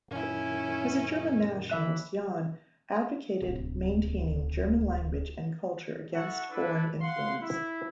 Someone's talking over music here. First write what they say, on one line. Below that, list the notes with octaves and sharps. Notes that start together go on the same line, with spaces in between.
As a German nationalist, Jahn advocated maintaining German language and culture against foreign influence.
F#2 A#2 D#3 C#4 E4
E3 E5 F#6
D1 C2
E4 F#4 A4 F#5
D4 E4 A4 B4
F5 F#5 C6
E4